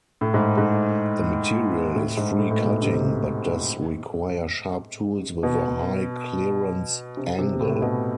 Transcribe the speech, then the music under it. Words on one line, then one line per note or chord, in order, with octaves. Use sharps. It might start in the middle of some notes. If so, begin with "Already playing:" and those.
The material is free-cutting, but does require sharp tools with a high clearance angle.
A2
G#2
G#2
A2
G#2
A2
A2
B2
C3
B2
C3
C3
A2
B2